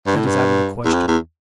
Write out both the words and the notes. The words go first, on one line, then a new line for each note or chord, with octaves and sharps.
That is out of the question.
G2
A2
G2
E2
F2
E2